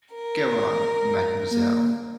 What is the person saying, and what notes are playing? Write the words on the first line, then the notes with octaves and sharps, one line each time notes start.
Go on, Mademoiselle.
A#4
A#3